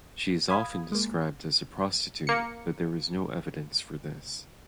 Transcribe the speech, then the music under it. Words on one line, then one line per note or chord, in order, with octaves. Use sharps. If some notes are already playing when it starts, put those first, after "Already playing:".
She is often described as a prostitute, but there is no evidence for this.
F5 B5 D#6 G#6
G#3 A#3
A#3 C#7